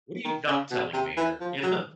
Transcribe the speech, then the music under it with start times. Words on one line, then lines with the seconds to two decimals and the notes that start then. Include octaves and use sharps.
"What are you not telling me here?" You know?
0.24 D#3
0.48 C#3
0.71 B2
0.94 C3
1.17 E3
1.40 F3
1.63 F#3